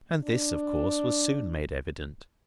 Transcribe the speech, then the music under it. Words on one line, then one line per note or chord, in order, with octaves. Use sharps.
And this, of course, was soon made evident.
D4